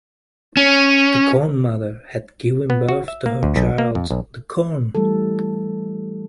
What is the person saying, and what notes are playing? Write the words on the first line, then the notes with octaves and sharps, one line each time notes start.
The corn-mother had given birth to her child, the corn.
C#4
B3
F#4
E5
A#3
D2
B1
A#3
F2
B1
E3 G3 A3 A4